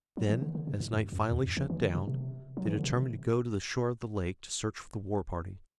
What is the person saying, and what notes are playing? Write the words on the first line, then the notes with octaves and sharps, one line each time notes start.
Then, as night finally shut down, they determined to go to the shore of the lake to search for the war-party.
F#3
E3
D3
D3
C3
A2
G2
F#2
E2
F#2
E3
E3
D3
C3
C3
F#3
E3
D3
C3
C3